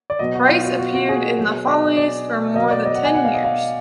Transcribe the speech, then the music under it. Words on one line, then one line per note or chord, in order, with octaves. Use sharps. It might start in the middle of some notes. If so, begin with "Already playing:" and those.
Brice appeared in the Follies for more than ten years.
D5
B2 F#3 D#5
F#4
F4
F#4
F#4
F#4
G#4
B2 F#3
D#5
D#5
D5
B2 F#3 D#5
D5
D#5
F#5
G#5
F#5
F5
D#5
F5